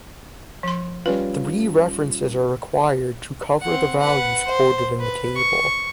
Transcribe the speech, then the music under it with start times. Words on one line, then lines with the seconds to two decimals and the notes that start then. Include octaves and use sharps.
Three references are required to cover the values quoted in the table.
0.63 F3 C6
1.06 G3 C#4 F4 B4
3.61 C4 F#5
4.00 B4 F#5
4.47 C5
5.00 B4
5.36 C#6